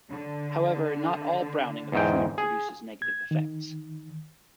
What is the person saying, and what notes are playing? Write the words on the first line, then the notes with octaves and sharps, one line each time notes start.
However, not all browning of food produces negative effects.
D3
E2 G#2 G5
G#4
G#6
D#3